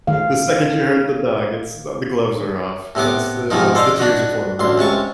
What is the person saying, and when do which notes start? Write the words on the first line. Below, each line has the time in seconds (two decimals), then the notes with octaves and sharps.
the second you hurt the dog, it's uh, the gloves are off, that's the that's the tears are flowing.
0.07 D#3 A3 G#4 F5
2.95 A2 C3 B3 D6
3.50 G#2 C3 D#3 F3 D#4
3.75 A4 C5 D5 D#5 F5
3.98 D4 F#4 D#5
4.59 A1 D2 C6
4.78 C#2 C3 A5 C#6